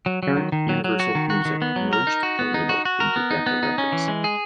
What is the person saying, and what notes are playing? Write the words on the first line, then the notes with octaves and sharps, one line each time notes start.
Parent Universal Music merged the label into Decca Records.
F#3
F#3
D#3
D#3
F#3
F#3
F#4
D#3
F#4
D#3
B3
F#3
A#4
D#4
F#4
B3
D#4
F#4
F#4
A#4
B3
D#4
B3
D#4
C#4
E3
G#3
G#4